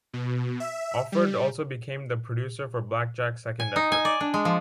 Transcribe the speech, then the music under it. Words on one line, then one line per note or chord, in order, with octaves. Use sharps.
Offord also became the producer for Blackjack's second effort.
B2
E5
G3
G#5
D#4
G#5
D5
D4
G#3
F3